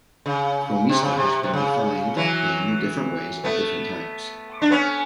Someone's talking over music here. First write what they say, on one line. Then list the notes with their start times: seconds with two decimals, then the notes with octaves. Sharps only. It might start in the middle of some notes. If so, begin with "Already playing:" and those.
Chromista has been defined in different ways at different times.
0.26 C#3
0.89 C3
1.03 C#3
1.17 C3
1.43 C3
1.53 C#3
2.16 E3 F#3
3.44 A3 B3
4.62 D4
4.71 B3 C#4